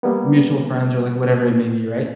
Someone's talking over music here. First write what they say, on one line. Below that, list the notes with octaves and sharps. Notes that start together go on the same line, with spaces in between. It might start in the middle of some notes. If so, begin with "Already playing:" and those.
mutual friends or like whatever it may be, right?
G3 A#3 B3